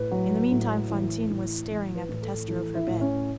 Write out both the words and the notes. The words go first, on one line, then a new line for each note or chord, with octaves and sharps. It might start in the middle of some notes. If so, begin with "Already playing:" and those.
In the meantime, Fantine was staring at the tester of her bed.
Already playing: A2 B4
F#3
A2
E3
A2
E3
B4
A2
A4
E3 A4
E4
A2
C#4